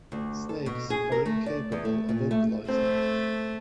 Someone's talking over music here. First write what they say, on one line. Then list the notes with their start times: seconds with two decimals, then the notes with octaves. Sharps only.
Snakes are incapable of vocalising.
0.12 D2
0.49 A4
0.66 B2
0.90 G#4
1.12 A#4
1.26 A3
1.46 D5
1.72 E2
1.85 A3
2.09 A#2
2.31 A3
2.68 A3 C4